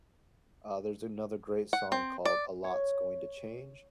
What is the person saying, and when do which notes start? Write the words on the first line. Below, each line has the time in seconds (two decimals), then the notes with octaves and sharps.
Uh, there's another great song called A Lot's Going to Change
1.73 F#5
1.92 C4
2.25 D5
2.64 C#5